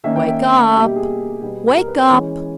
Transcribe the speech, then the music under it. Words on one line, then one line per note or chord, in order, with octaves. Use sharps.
"Wake up! Wake up!"
D#3 A#3 C#4 E5
G5
E5
B2 G3 A#3 E5
G4
G#4
B2 G3 B3
A#4
B4
C#5
E3 G#3 C#4